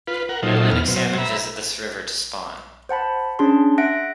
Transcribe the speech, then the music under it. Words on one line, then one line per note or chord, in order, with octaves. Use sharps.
Atlantic Salmon visit this river to spawn.
F4 B4
A#4 F#5
A#2 F#3 D#4 F4 A4 C5
E2 B3 F6
B2 F#3 C5
E5 A#5 B5
C5 F#5 A5 B5
C#4 D4 G#4 A5 C6
E5 F#5 F#6 A#6 D7